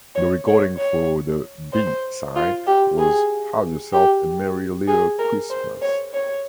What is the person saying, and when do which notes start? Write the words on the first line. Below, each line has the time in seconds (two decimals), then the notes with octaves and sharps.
The recording for the "B" side was "Have Yourself a Merry Little Christmas".
0.15 C#5
0.47 C#5
0.78 C#5
1.73 C5
2.36 F4
2.67 G4
2.99 G#4
3.93 G4
4.87 G#4
5.19 A#4
5.50 C5
5.82 C#5
6.13 C#5